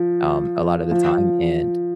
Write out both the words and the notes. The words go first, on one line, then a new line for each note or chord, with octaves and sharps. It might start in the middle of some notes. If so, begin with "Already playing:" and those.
um, a lotta the time. And,
Already playing: F3
F3